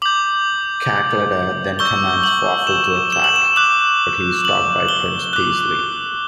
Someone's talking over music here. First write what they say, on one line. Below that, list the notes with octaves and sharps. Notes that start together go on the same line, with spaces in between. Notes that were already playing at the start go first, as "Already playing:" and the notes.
Cackletta then commands Fawful to attack, but he is stopped by Prince Peasley.
D6 G6 F#7
C#6 E6 G6 G7
F#7
E7
E7
F#7
E7
D6 F#6 F#7
F#7
G7
D6 F#6